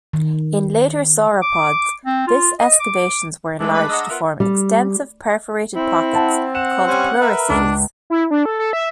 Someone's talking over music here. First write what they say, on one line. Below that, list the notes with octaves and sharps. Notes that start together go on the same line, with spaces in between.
In later sauropods, this excavations were enlarged to form extensive perforated pockets called pleurocoels.
D#3
D6
C4
F4
D#5
D6
E3 G#3 A3 D4
B4
G#3 D#5 F#5 A#5 E6
B3 F4 A#4 E5
G3
C4 E4
F#5 A5
F#5 E7
G3 C#4 C5
A#4 B4 E5
C#2 D4
E4
D4
A4
A4
E5